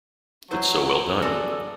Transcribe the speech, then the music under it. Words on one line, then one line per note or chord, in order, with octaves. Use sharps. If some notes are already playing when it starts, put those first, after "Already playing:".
It's so well done.
F#3 E4 B4 C5
F#4 G#4 A4 D5